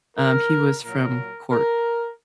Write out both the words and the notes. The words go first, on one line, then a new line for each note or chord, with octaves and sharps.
um, he was from Cork.
A#4
A#2 F#3 A#4
A#4